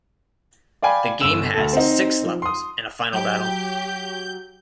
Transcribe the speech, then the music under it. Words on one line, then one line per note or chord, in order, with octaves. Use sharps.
The game has six levels and a final battle.
D5 F5 G5 G#5 B5
G1 E6 E7
D2 A4
C4 D#4
F3
C6 D#6
F#3 G4 G6